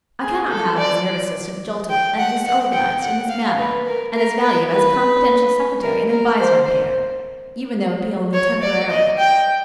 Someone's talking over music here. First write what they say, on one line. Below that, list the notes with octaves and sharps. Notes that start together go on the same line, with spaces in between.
I cannot have his nervous system jolted and disorganized in this manner, and his value as a confidential secretary and adviser impaired, even though it be only temporarily.
G#4
A4
D5
G5
F#5
F#5
G5
F#5
F5
B4
A#4
A#4
B4
B4
A#4
A#4
C5
C5
C#5
D5
D#5
G5